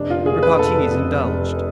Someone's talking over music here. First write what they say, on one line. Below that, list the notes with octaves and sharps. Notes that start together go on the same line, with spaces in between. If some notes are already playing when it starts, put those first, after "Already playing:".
Repartees indulged.
Already playing: F1 D4
F4
D3 G#4
B4
F1 A4
F2
F1